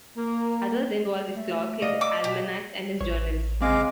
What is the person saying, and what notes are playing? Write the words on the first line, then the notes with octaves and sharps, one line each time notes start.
Others involve his clock, his almanacs and his journals.
A#3
A3
D5 D#5 F5
D6 E6
B2 G4
A1 C#5
C#3 G#3 C4 F5 G#5 D6